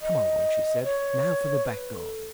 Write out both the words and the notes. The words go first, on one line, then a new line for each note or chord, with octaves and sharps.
"Come along," she said; "now for the back garden."
D#5
C#5
B4
A4